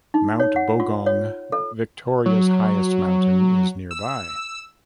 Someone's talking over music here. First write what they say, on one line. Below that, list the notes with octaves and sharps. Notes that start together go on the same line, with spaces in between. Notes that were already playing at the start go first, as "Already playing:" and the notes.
Mount Bogong, Victoria's highest mountain, is nearby.
D#4
C#5
F#5
F4
C#5
A4
F#3
E6